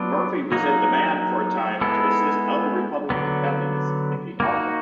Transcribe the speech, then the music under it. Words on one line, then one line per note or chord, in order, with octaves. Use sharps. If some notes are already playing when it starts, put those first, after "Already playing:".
Murphy was in demand for a time to assist other Republican candidates seeking office.
Already playing: F#3 B3 D4 F4
F#3 A#3 D#4
G#3 B3 E4 A4
D3 F#3 B3
A#3 D#4 F#4